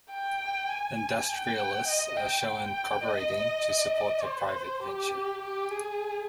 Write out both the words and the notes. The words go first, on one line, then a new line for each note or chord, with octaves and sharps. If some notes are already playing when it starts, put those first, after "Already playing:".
Industrialists are shown cooperating to support the private venture.
G5
G#5
G5
D#5
G5
G5
D#5
C5
G4
G4
G#4